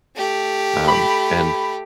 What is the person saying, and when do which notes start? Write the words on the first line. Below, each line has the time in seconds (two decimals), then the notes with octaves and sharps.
um, and
0.16 A3 G4
0.88 B5